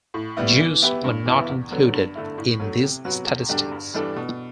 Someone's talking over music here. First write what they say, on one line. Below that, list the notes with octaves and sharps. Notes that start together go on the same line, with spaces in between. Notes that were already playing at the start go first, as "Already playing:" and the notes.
Jews were not included in these statistics.
A2
G3 B3 E4
E3
B3 E4 G4 B4
G2
E3 B3 E4
E2
D3 F#3 B3
G2
D3 A3 E4
A2
F#3 A3
C3
F#3 B3 F#4 B4
E2
D3 G3 D4 G4
G2
E3 G3 D4 A4
B2